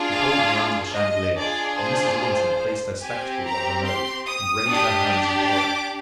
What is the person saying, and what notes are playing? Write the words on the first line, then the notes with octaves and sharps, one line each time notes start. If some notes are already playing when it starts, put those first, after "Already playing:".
He pulled me under the chandelier, and Mrs. Linton placed her spectacles on her nose and raised her hands in horror.
Already playing: D4 F4 G#4
F5
D#5
D4 F4 G#4 D5
C5
C5
C4 G4 G#5
A#5
C6
D#6
D4 G4
D6